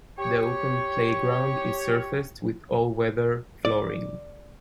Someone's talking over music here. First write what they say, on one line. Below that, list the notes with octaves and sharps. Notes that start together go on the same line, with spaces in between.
The opened playground is surfaced with all weather flooring.
G4 C#5
D5